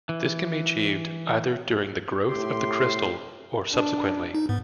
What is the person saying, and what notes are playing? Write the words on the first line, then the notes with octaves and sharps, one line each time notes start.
This can be achieved either during the growth of the crystal, or subsequently.
E3
A2 G4 C6
D4
D#4
G#2 B3